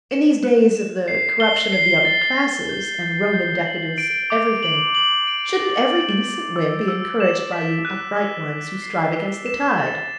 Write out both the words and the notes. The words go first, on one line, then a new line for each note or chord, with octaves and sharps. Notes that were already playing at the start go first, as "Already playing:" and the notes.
In these days of "the corruption of the upper classes," and Roman decadence of everything, shouldn't every innocent whim be encouraged by you upright ones who strive against the tide?
E7
F#6
E7
C7
G7
C7
A6
A6
G6
G6
G6
F#7
D7
D6
F#7
F#7
D7
A6
A6
F#7
E6
E6
E7
B6
F#6
G7
F#6
C7
G7
E7
A6